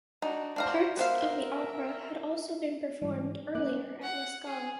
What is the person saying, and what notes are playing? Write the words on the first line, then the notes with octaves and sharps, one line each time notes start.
Parts of the opera had also been performed earlier at La Scala.
D4 D#4 F#4
D4 F#4 C5 F5 A#5
B3 A#4 C5 E5 F5
G#2 E3 G3
A#3 C#4 D6 F#6
F#5
G#4